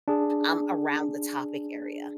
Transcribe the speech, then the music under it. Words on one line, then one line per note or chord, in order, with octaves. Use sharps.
um, around the topic area.
D4 G#4